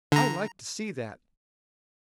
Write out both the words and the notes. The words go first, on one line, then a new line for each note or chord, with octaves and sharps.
I like to see that.
D3 A#5